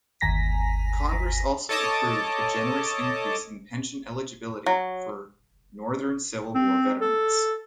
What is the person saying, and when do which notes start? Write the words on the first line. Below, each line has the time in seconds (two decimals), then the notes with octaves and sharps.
Congress also approved a generous increase in pension eligibility for Northern Civil War veterans.
0.21 G1 D#2 G#5 A#5 A#6 B6
1.69 A4 C#5 D#5 A5 D6 D#6
4.66 F#3
6.55 C4
7.01 A4